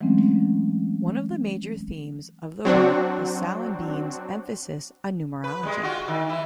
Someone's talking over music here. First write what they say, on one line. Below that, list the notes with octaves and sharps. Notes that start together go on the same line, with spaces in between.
One of the major themes of the work is Salimbene's emphasis on numerology.
E3 F#3 G#3 A3 C4 C#4
F#3 C4 D4 F#4
B4
G3 G#3
F4 F#4
D#3
E3 E4